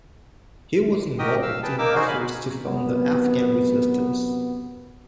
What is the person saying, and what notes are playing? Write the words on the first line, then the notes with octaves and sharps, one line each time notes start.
He was involved in efforts to fund the Afghan resistance.
F#4 G4 A#4 D#5 G5 D#6
F5 E6
G#4 B4 G5 A5
A#3 D#4 A#4 D6 E6
C#4 D#4 F#4 G#4 C5
F5 G#5 B5
F#2 C3 B3